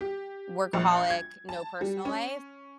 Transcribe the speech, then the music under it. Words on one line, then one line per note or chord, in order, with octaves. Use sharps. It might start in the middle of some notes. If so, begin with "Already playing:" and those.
workaholic, no personal life?"
G4
A#1
G#6
A5
G3
C#4